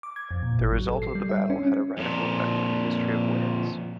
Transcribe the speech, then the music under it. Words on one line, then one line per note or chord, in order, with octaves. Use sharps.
The result of the battle had a radical effect on the history of Wales.
D6
G#6
F2
A#2
G#1
F#3
A4
C7
G3
E5
C#4
F2 A#2